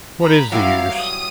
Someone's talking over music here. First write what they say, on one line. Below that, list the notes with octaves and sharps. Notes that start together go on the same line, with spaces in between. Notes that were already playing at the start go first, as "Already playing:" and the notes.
What is the use?
A#5 B5
F#3 G3 E4 A#4 F5
D#6 D#7